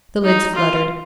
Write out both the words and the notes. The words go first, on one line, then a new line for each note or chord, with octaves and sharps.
The lids fluttered.
D#4
F4